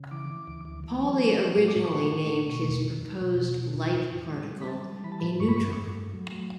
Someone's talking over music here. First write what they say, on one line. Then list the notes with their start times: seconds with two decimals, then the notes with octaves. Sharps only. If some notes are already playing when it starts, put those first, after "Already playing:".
Pauli originally named his proposed light particle a "neutron".
Already playing: C#3
0.11 E3 D6
0.30 E3
0.47 D2
0.65 E3
0.84 E3
1.03 F#3
1.21 A3
1.38 F#3
1.57 A2
1.68 D6
1.76 A2 C#6
1.94 A3
2.12 A2
2.30 A3
2.48 B2
2.67 E2
2.85 E2
3.03 E2
3.22 B2
3.39 E2
3.58 B2
3.77 E2
3.94 A2
4.12 A2
4.30 G3
4.50 G3
4.61 B5
4.68 G3 A5
4.86 G3
5.04 E3 B5
5.12 A5
5.20 A2 B5
5.40 G2 C#6
5.49 B5
5.56 G2 C#6
5.77 G2
5.95 A3
6.14 F#3
6.32 F#3